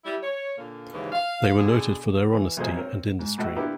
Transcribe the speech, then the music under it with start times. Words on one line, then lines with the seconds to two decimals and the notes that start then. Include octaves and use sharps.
They were noted for their honesty and industry.
0.04 G3 E4
0.22 C#5
0.57 A#2 D3 A#3
0.93 D#2 G#2 C#3 E3
1.12 F5
1.57 B2 D3 G#4
2.32 E3
2.57 B1 E2 A#2 G#4 C5 D#5
2.76 C4 A#4 C#5
3.19 G#2
3.38 A2 F#4 A4 D#5
3.56 D3 A#3 B3 E4 G4 A#4